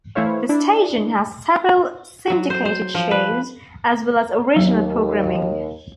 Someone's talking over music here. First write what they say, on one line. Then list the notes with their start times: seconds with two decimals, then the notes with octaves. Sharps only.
The station has several syndicated shows as well as original programming.
0.15 E3 A3 E4 C5 C#5 F5
0.49 D4 E4
2.30 F#3
2.50 C5
2.65 C5
2.94 F3
3.11 B4
4.56 D#2 F#3